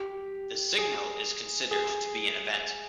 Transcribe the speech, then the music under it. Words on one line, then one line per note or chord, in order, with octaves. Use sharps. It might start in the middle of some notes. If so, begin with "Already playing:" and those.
The signal is considered to be an event.
Already playing: G4
G#4
G#4